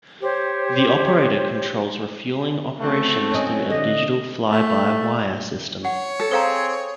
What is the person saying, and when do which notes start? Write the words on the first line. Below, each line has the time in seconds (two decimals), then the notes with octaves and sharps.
The operator controls refueling operations through a digital fly-by wire system.
0.21 G4 C5 C#5
2.80 A3 C4 F#4
3.32 C#4 D#4
3.70 D3 A3 D#5
4.49 A3
5.85 C#5 F#5
6.20 A4
6.31 C4 G#4 C5 F5 A#5